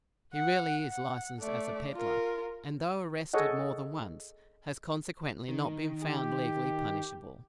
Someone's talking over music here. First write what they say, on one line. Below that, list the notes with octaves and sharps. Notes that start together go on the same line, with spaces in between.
He really is licensed as a peddler, and though arrested more than once, has consequently not been found legally punishable.
F#5
F#5
A3 D5
F4 A#4
G#4 A4 C#5 D#5 F#5
D#3
G4